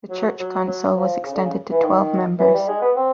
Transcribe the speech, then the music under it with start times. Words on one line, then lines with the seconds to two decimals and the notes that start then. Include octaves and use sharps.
The church council was extended to twelve members.
0.10 F#3
0.39 F#3
0.67 F#3
0.96 F3
1.25 C#3
1.33 D3
1.43 C#3
1.71 E3
1.82 D#3
2.39 E3
2.54 G3
2.68 G#3
2.81 B3
2.96 C4